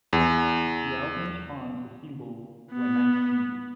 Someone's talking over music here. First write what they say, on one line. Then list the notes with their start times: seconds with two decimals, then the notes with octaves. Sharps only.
The album spawned the single "When I See You".
0.13 E2
2.73 B3